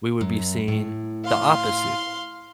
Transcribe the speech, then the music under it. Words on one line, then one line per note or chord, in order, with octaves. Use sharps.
we would be seeing the opposite,
F#2
A2
F5 C6